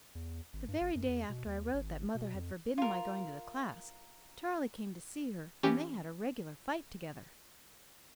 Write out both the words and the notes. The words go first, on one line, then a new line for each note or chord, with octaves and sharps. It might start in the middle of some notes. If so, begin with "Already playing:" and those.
The very day after I wrote that mother had forbidden my going to the class, Charley came to see her, and they had a regular fight together.
E2
G#1
G2
G1
F#2
E2
B2
D#2
G#1
B2
F2
F4 A#4
E3 C#4 G4